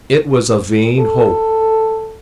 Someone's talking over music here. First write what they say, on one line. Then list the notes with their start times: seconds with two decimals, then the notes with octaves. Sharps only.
It was a vain hope.
0.99 A4